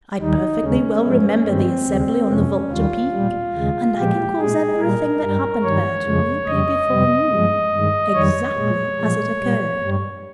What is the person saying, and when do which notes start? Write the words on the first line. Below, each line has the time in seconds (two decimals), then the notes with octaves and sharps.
I perfectly well remember the assembly on the Vulture Peak; and I can cause everything that happened there to reappear before you, exactly as it occurred.
0.20 D#2 D#3 G3 D#4
0.62 D#2 C#3 G#3 C#4
1.03 G#2 F3 G#3
1.45 G2 D#3 G3 C4
1.88 D#2 C#3 G#3
2.29 F2 C3 F3 C#4
2.71 D#2 D#3 G3 F4
3.12 A#2 G3
3.54 D#2 C#3 G#3
3.97 A#2 F3 G#3 G4
4.37 A#2 G#3 G#4
4.80 A#2 G3 A#4
5.22 G2 G3
5.63 G2 D#3 G3 C#5
6.05 F2 C#3 F3 G#3
6.46 F2 C#3 G3 D#5
6.89 F2 C3 G3
7.31 G2 F3 G#3
7.72 G2 D#3 G#3
8.14 F2 D#3 G3 C#5
8.55 A#2 G#3
8.98 A#2 F3 G#3
9.39 A#2 G3
9.81 G2 G3